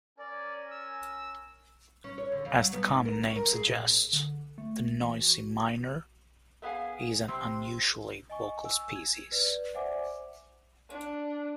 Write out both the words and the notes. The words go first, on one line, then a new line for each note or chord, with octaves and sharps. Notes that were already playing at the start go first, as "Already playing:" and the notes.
As the common name suggests, the noisy miner is an unusually vocal species.
C#4 A#4 D5 G#5
E6
C#4
C#5
D3
F2
F#3
B3
G#2
A#4
C#4
A#4
G#4
A#2
D3
A3
E3
F#4
A3 B3 G#4 F5 G#5
C3 G3 C4
D#5 G#5 C#6
G#5 E6
G#6
B4 D5
C5 D5 E5 F#5 G#5 D6
D4